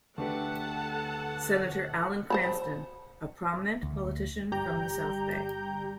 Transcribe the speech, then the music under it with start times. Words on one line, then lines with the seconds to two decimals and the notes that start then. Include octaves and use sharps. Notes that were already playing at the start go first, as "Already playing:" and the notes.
Senator Alan Cranston, a prominent politician from the South Bay.
0.18 D2 A3 D4 G4 A4 B4 F#5 A5
2.30 C5 A5 B5
3.83 D2
4.52 G1 G3 G4 G5 A#5 G6